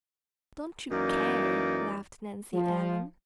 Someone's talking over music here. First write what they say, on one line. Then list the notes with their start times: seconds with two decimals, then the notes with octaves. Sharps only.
"Don't you care," laughed Nancy Ellen.
0.91 F#2 E3 A#3 D#4 D5
2.53 F3